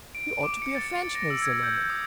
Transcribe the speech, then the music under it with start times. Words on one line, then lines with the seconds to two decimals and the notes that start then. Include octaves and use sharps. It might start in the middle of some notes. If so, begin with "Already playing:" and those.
You ought to be a Frenchman, Sir Norman!
0.15 D7
0.43 D6
0.62 C#7
0.75 A6
0.92 A6
1.15 A#6
1.30 E6
1.42 G#6
1.63 G6
1.90 D#6